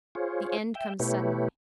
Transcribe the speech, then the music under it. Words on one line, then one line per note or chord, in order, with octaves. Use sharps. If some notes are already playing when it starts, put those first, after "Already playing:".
The end comes suddenly.
F4 G#4 C5 C#5
E5 G5
B2 A3 E4 G4 B4 C#5